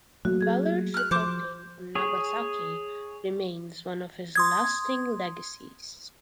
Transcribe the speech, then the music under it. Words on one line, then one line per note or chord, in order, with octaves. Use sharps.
Weller's reporting on Nagasaki remains one of his lasting legacies.
F#3 A3 A#3 F#4
G#4 G#6
F6 F#6
F3 C5 D6
G#4 C#5
C6 D#6 G#6